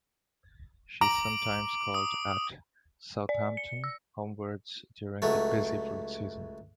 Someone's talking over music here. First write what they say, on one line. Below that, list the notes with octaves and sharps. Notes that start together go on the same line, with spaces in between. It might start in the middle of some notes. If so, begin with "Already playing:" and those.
She sometimes called at Southampton homewards during the busy fruit season.
A#5 D6 D7 F#7
D#6
D5
C#7
E6
C#2 F#3 A3